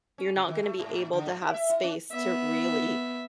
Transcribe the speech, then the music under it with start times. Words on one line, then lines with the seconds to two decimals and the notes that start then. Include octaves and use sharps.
you're not gonna be able to have space to really,
0.18 C#4
0.36 C#3
0.48 D#3
0.63 A3
0.79 G#2
0.93 A2
1.13 D3
1.28 G#2
1.41 E4
1.54 E5
1.69 E4
1.84 C#4
2.12 B3 E5